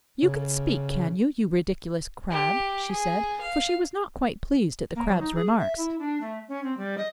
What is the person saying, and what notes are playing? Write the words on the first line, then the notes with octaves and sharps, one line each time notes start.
You can speak, can you, you ridiculous crab?' she said, for she was not quite pleased at the Crab's remarks.
C#3
G4
G#4
F5
A#3
F#3
D#4
G#4
E5
E4
D4
A3
C#4
C4
G3
D#5